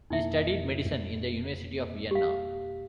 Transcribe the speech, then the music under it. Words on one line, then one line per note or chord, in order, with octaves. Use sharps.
He studied medicine in the University of Vienna.
F2 B2 A#3 D#4 E4 E5
G4 F5